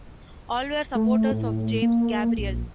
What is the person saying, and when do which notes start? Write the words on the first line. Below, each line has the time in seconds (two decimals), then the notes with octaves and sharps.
All were supporters of James Gabriel.
0.95 A3
1.32 A2
1.82 A#3
2.38 A#1